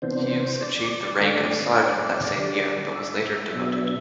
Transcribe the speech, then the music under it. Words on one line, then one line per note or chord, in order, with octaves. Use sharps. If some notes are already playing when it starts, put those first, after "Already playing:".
Hughes achieved the rank of sergeant that same year, but was later demoted.
C3 E3 B3 D4 C5
D5
D3 A3 D4
D3 G3 D4
E5
D5
E5
B2 F#3 B3 D4